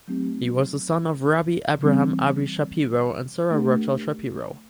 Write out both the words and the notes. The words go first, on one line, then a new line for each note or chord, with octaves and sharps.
He was the son of Rabbi Avraham Abba Shapiro and Sora Rochel Shapiro.
F#3 A3 C4 D#4 G4
C#3 E3 G3 C4
A3 D4 G4 A#4